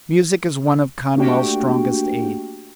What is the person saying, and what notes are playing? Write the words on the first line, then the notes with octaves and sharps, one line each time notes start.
Music is one of Conwell's strongest aids.
A3 A#3 D4 F#4 G4 G5